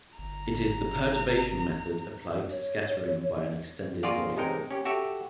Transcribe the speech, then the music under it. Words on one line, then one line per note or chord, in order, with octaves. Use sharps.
It is the perturbation method applied to scattering by an extended body.
G1 A#5
C#5
A#3 F4 F#4 G#4 D5 F5
A1 C3 G#3 D#4 A#4 G5
C#4 G4
F#4 G4 A4 E5